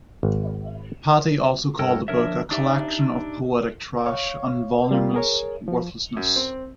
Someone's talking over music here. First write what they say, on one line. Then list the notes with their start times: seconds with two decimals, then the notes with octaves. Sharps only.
Pattee also called the book a "collection of poetic trash" and "voluminous worthlessness".
0.23 G#1
1.79 G2 A4 A#4 C#5 G5
2.08 F3 D4 A#4 C#5 E5
2.51 D4 D#4 G4 D5 E5
4.06 C#5 F5 C#6
4.91 G3 A#3 F4
5.14 G#4 A#4 C#5
5.68 F3
6.17 F#2
6.36 C4